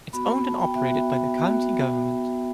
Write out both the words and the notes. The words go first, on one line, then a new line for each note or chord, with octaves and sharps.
It is owned and operated by the county government.
B3 F#4 B5
B5
A5
G5
B3 F#4 E5
B3 F#4